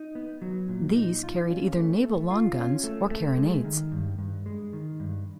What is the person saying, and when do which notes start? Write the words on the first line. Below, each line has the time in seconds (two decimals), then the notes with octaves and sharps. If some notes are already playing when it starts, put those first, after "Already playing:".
These carried either naval long guns or carronades.
Already playing: D#4
0.15 B3
0.42 F#3
0.68 A#2
0.96 D#4
1.23 F4
1.50 C#4
1.77 A3
2.04 A3
2.31 F4
2.58 C#4
2.84 A3
3.11 A3
3.37 G#3
3.64 D#3
3.92 G2
4.18 G2
4.46 G#3
4.73 D#3
5.00 G2